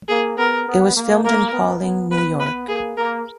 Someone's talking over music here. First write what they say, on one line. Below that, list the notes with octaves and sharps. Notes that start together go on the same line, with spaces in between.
It was filmed in Pawling, New York.
A#3 G#4
B3 A#4
B3
A#3
A#3 A#4
B3
B3
B3 B4
B4
A#3 G#4
A#3 A#4